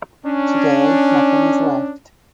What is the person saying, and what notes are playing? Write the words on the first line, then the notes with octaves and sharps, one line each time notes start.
Today nothing is left.
C#4 D4